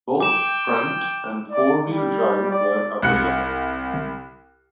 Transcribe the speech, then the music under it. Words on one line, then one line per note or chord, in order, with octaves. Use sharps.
Both front- and four-wheel drive were available.
G5 D6 E7
D5
G3
D5
C2 F#6 C#7